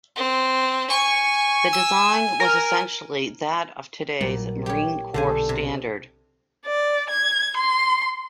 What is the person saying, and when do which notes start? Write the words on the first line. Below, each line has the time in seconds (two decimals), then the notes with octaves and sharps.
The design was essentially that of today's Marine Corps standard.
0.16 C4
0.90 G#5 C#6
1.73 E6
2.40 A#4
4.21 A#1 A#2 F#3 G3
4.66 G4 C#5
5.14 B1 D3 A4 C5 G#5
5.49 C3
6.65 D5
7.10 G#6
7.57 C6